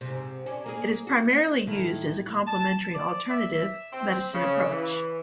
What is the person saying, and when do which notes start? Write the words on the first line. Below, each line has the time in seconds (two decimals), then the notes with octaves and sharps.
It is primarily used as a complementary alternative medicine approach.
0.01 G#2 C3
0.46 C#4 D4
0.66 A#3 G#4
1.07 F#4
1.67 A2 D#3 E4
2.47 A5
2.94 D5
3.30 E5
3.93 C4
4.33 C#3
4.69 E3